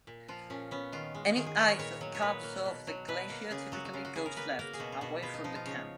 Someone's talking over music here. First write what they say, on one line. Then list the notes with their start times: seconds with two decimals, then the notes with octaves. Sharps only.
Any ice that calves off the glacier typically goes left, away from the camp.
0.07 A#2
0.28 F3 F4
0.50 A#2 C#4
0.71 B3 C#4
0.92 D#3 F4
1.15 G#3
1.36 D#3 G#4
1.46 G#4
1.57 B3 A#4
1.68 C#5
1.79 A#2 C#5
2.01 F#3
2.15 C#5
2.22 A#2 B4
2.43 A#3
2.65 B2
2.87 F#3
3.08 B2 B4
3.29 A#3
3.51 C#3 G#4
3.72 F#3 F#4
3.85 F#4
3.93 C#3 F4
4.05 F#4
4.16 B3 G#4
4.26 A#4
4.37 A#3 B4
4.59 A#3 A#4
4.73 G#4
4.79 B2 F#4
4.92 F4
5.01 B2 F#4
5.22 B3 F4
5.34 D#4
5.44 F3 D#4
5.55 F4
5.66 C#3 C#5